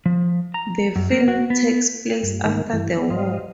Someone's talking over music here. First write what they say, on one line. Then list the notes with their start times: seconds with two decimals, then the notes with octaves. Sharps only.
The film takes place after the war.
0.06 F3
0.54 A#5
0.96 F#2
1.11 A#3
1.28 F#4
1.50 B3
2.23 G2
2.45 G#2 D#3 A#3
2.73 G2 E3
2.97 E3 B3
3.10 G#2 C5 D#5 F5